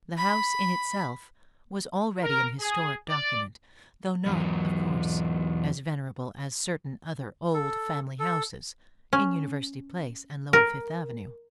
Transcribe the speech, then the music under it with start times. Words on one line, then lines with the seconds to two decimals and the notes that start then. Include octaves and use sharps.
The house in itself was already an historic document, though not, of course, as venerable as certain other old family houses in University Place and lower Fifth Avenue.
0.17 B5
2.22 A#4
2.60 G#4
3.10 D5
4.26 E2 F#3
7.54 A4
8.19 A4
9.13 C#4
10.53 A#4